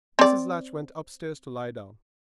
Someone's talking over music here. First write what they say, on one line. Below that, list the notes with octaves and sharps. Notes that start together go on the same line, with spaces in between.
Mrs. Latch went upstairs to lie down.
C4 D5